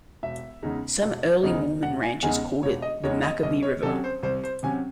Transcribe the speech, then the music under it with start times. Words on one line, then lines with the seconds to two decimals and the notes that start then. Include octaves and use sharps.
Some early Mormon ranchers called it the Macaby River.
0.23 E1 E5
0.63 E2 C#3 G#3 D#4
1.02 E1
1.43 E2 C#3 G#3 D#4
1.82 E1 F#5
2.03 G#5
2.23 E2 C#3 G#3 D#4 G#5
2.63 E1 C#5
2.82 D#5
3.04 E2 C#3 G#3 D#4 C#5
3.23 D#5
3.43 C2 D#5
3.63 C#5
3.83 C3 F#3 C#4 A4
4.04 C5
4.23 C2 C5
4.44 C5
4.63 C3 F#3 C#4 G#5